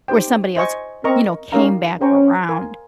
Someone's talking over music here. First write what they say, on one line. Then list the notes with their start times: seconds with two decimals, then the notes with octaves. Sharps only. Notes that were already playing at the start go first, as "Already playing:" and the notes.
where somebody else, you know, came back around.
0.08 D#4 G4 C5 G5
0.56 C5 D#5 G#5 C#6
1.04 C4 A#4 D#5 A#5 C#6
1.52 C#4 D#4 G4 A#4 F5 A#5
2.01 C#4 G#4 C5 G5 A#5 C#6
2.49 A#4 F5 G#5 C6